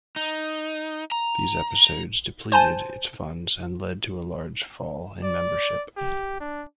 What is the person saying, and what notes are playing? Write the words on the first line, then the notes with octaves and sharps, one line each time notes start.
These episodes depleted its funds and led to a large fall in membership.
D#4
A#5
C5 G#5 A5
D5
G4
D4